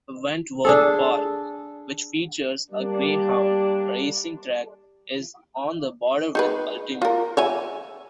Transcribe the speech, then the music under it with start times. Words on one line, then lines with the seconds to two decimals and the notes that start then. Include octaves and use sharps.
Wentworth Park, which features a greyhound racing track, is on the border with Ultimo.
0.65 D4 G#4 A4
2.71 G3 A#3 D4
6.35 D#4 G#4 B4
7.02 F4 A#4
7.37 C#5 E5 G#5